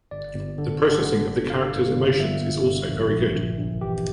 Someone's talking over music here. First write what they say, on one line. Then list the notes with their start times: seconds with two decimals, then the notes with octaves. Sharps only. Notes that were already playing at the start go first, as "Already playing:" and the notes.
The processing of the characters’ emotions is also very good.
0.11 G1 D5
0.35 G1
0.58 D3
0.82 D3
1.04 D3
1.27 D3
1.50 G1 F5
1.74 G1
1.97 G1
2.20 G1 E5
2.43 G1
2.65 G2
2.89 A#1
3.12 A#1
3.35 A#1
3.59 A#1
3.81 E3 G4